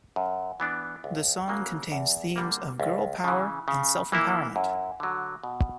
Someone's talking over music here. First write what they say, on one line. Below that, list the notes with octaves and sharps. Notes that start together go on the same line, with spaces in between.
The song contains themes of girl power and self empowerment.
F#2
E3 B3 D4
C#2
C#3 F#3 A#3 C#4
E2
D3 G3 A#3
C#2
C#3 E3
C#3
E3 A#3 E4
F#2
D3 F#3
B2